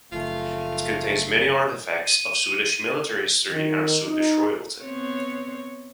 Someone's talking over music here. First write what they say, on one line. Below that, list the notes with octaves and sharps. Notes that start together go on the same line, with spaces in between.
It contains many artifacts of Swedish military history and Swedish royalty.
F#1 F3 A3 F4
D#7
D#3
D#4
B3 C4 C#5